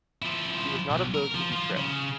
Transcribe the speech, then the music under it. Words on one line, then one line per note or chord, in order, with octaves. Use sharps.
He was not of those who betray.
F3 E4
B1
A#4
F3
F3
C#3